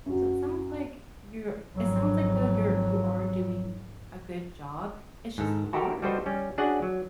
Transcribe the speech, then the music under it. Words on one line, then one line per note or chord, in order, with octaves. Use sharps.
so it sounds like you're it sounds like, though, you're you are doing a good job, it's just hard.
F#2 F#4
G#1 F2 F#3
G#2 D#3 A4
F#4 G4 A4 A#4
G3 F#4 A4 B4 C5 D#5
G3 C#4
C#4 D4 F#4 G#4 D5 F#5
F#3